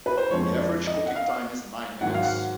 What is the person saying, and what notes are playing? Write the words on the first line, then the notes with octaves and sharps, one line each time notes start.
The average cooking time is nine minutes.
B4
C5
F2 D3 F3 G#3 C#5
D5
D#5
F#5
F5
G#2 D#3 F#3 F#5
F5
F#5